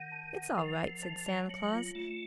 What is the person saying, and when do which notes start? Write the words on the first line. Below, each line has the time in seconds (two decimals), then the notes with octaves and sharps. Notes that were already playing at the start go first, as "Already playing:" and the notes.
"It's all right," said Santa Claus.
Already playing: D#3 F#5
0.12 A5
0.35 F#5
0.58 F3 A#4
0.80 A#4
1.03 A5
1.26 A5
1.49 F#3 C#5
1.73 F4
1.95 A3 F4